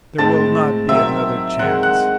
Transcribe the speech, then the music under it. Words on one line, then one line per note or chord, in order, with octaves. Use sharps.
There will not be another chance.
A2 G#3 C4 A5 A6
D#3 F#3 C4 E5 E6
D#3 G#3 C4 F#5 F#6
F#5 F#6